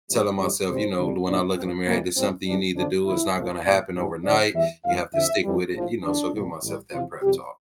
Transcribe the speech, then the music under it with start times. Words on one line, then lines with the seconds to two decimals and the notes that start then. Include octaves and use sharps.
telling myself, you know, lo when I look in the mirror, "Hey. There's something you need to do. It's not gonna happen overnight. You have to stick with it." You know? So, I give myself that prep-talk.
0.09 A#1 A2 E3 G3
0.38 A1 G2 D3 G3
0.68 D2 C3 E3 G3 C5
0.97 D2 C3 G3
1.28 C2 A#2 G3 D4
1.57 A1 G2 F3 C4
1.87 C2 C3 E3 G3 A#3
2.17 A1 G2 E3 G3 C4
2.47 G1 G2 E3 G3 D4
2.76 F2 D3 F3 D4
3.06 E2 D3 F3 E4
3.36 C2 A#2 F3
3.65 C2 A#2 G3 D5
3.95 A1 G2 E3 G3
4.25 E2 D3 F3 D5
4.54 E2 E3 G3 E5
4.84 G1 F2 E3 G3 F5
5.14 F2 D3 F3 E5
5.44 F2 E3 G3
5.73 A#1 A2 F3
6.03 E2 D3 G3 D4
6.32 C2 A#2 G3
6.63 A1 A2 G3
6.92 E2 C3 F3 F4
7.22 F2 C3 G3 G4